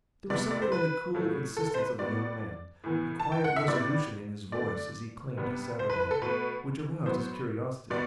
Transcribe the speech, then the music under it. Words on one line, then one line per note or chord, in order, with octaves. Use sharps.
There was something in the cool insistence of the young man, a quiet resolution in his voice as he claimed his Saturday, which aroused his curiosity.
C3 G3 B3 D5
D5
C5
B4
A2 F#3 A3
A4
A4
C5
B4
B2 G3 B3 D5
A2 E3 B3
A5
G5
F#5
E5
A2 G3 B3 D5
D3 A3 D5
C3 G3 B3
C5
B4
B4
A4
B2 A3 B4
A2 F#3 B3 C5
B2 G3 B3 D5